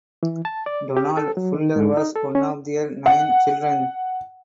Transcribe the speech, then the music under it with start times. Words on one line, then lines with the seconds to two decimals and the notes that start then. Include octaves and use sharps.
Donald Fuller was one of their nine children.
0.23 E3
0.45 A5
0.66 D5
0.97 G4
1.17 A4
1.37 F#3
1.55 D#3
1.76 G#2
1.97 D#4
2.15 A4
2.35 C#4
3.06 F#5